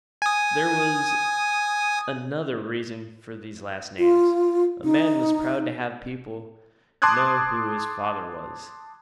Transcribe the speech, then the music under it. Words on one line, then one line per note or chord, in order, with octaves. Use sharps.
There was another reason for these last names: a man was proud to have people know who his father was.
G#5 D#6
F4
D#4
A5 C6 D6 D#6 F#6 G#6